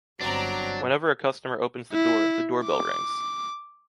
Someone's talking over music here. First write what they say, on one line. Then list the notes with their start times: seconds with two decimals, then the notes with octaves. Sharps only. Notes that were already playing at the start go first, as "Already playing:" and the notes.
Whenever a customer opens the door, the doorbell rings.
0.21 G1 F#3 C4 D4 D5 A#5
1.92 E4
2.64 D6